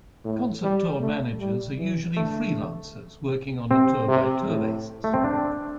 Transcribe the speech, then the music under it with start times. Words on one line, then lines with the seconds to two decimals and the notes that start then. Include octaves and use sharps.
Concert tour managers are usually freelancers working on a tour-by-tour basis.
0.24 A2
0.63 G3
1.00 A3
1.39 G3
1.78 E3
2.16 D3 A3
3.70 C3 C4
4.08 C3
4.47 A2
5.04 A3
5.14 C4
5.24 D4